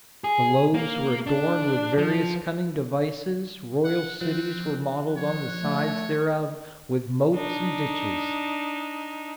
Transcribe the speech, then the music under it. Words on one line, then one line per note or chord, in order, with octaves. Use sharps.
The loaves were adorned with various cunning devices, royal cities were modelled on the sides thereof, with moats and ditches.
G#4
A#3
D4
F3
F#5
F3 C4 F#6
C#5
A3
D4 D#4